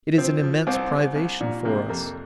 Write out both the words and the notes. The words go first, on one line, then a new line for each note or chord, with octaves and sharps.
It is an immense privation for us.
F3 C4
F3
C2 C4
C2
C2
A#2
C3 A#3
F2 A#3